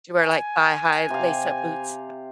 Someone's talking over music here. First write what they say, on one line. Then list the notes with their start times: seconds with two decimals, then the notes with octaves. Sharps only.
Did you wear, like, thigh high lace up boots?
0.20 G#5
1.10 C3 F5